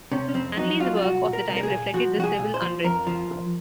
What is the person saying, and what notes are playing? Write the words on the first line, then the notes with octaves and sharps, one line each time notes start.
Manley's work of the time reflected this civil unrest.
C3 C#4
C#4
F2 C4
F#3 D#4
F#3 F4
F4
C2 F#4
A#2
A#4
C2
A#4
G#4
A#2
F3 F#4
C2 F#4
G#4
A#2
C5
F3
F2 A#4
F3